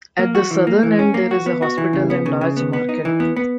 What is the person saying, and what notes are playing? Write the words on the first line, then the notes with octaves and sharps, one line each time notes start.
At the southern end there is a hospital and large market.
A#3
F#4
E3
A#3
E3
C#4
A#3
F#4
B3
F#4
E3
C#3
B3
C#3
C#3
B3
B3
D#4
E3
B3
B3